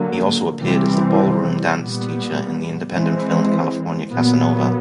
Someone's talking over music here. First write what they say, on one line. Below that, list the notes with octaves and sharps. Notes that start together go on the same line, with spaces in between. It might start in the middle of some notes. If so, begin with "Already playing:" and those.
He also appeared as a ballroom dance teacher in the independent film "California Casanova".
Already playing: D3 F#3 A#3
C3 E3 G3 C4
A#2 G3 B3
E3 G#3 C4
A#2 F#3 B3